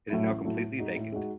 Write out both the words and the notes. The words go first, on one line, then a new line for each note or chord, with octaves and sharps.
It is now completely vacant.
A2 F#3 A3 E4
A1
A2 F#3 A3 E4
A2
G#3 D#4 F#4
A2
G#3 D#4 F#4